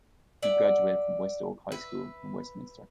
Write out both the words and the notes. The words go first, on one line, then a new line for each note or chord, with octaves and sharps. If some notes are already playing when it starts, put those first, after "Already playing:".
He graduated from West-Oak High School in Westminster.
D5 E5 F#5
B4 E5